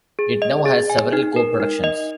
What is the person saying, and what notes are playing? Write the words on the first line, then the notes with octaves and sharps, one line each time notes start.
It now has several co-productions.
G#4
D#5
G#4
G#5
D#4
A#4
D#4
D#5